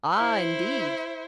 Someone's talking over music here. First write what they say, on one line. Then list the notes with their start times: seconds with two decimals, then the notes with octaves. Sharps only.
"Ah! indeed!"
0.17 E4 C5